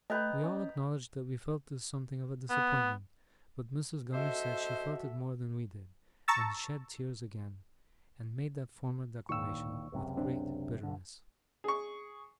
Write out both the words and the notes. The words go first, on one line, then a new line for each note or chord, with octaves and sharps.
We all acknowledged that we felt this something of a disappointment; but Mrs. Gummidge said she felt it more than we did, and shed tears again, and made that former declaration with great bitterness.
A3 B4 D#5 G5 A#5
C#4
B3
F#4 A4 C5 D#5 E5
A5 A#5 C#6 E6 A6
D1 A#2 D#3 C#6 E6
C#2 F#2 C3
C4 D4
B1 D3
G#4 C#6